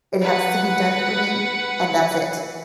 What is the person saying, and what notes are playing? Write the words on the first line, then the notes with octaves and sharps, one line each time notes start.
it has to be done for me, and that's it."
B4 F#5